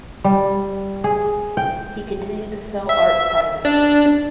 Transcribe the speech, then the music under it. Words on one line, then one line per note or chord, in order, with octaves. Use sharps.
He continued to sell art privately.
G3
G#4
G5
E5
D4